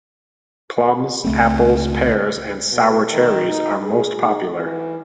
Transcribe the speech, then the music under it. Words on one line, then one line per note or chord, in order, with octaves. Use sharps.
Plums, apples, pears, and sour-cherries are most popular.
C#2 A3 C4
B2
D#3
D#4
G#4
D#4
E3